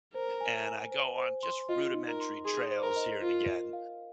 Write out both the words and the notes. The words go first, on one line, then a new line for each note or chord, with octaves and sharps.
and I go on just rudimentary trails here and again,
A#4 C5
G#5
G#5
C5
C5
C6
F4 D#5
D#4
A#4
C6
G#4 C6
C5
A#4
D#5
F4 A#4
A#4
F5